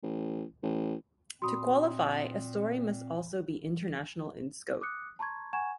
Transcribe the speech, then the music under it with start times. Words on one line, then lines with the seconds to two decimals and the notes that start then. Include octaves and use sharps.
To qualify, a story must also be international in scope.
0.03 A1
0.63 A1
1.42 A#2 C4 F#4 B5 C6 D#6
4.81 D6 D#6 F#6 C#7
5.19 A5 A#5 C6 C#6 G#6
5.53 F#5 G#5 A#5 C#6 G#6 E7